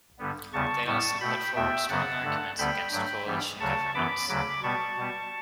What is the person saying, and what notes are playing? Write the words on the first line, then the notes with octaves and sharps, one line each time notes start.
They also put forward strong arguments against coalition governments.
G2 D3 G3 B3
E2 C#3 G3 B3 A5 C#6
A2 G3 B3 A5 C#6
B2 A3 G5 B5
E2 B2 A3 E5 G5
F#2 C#3 F#3 B3 F#5 A5
G2 D3 A3
D2 D3 G3 B3 G5 B5
G2 F#3 A3 G5 B5
G2 E3 G3 B3
D2 C#3 F#3 A5 C#6
F#2 E3 B3 B5 D6
D2 C#3 F#3 B5 D6
B2 G3 B3 A5 C#6
B2 G3 B3